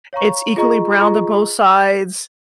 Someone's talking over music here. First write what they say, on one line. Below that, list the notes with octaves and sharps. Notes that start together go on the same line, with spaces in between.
it's equally browned on both sides
C#5 F5 A#5 C#6
F4 G#4 D#5 A#5 C#6
F4 G#4 D#5 A#5 C#6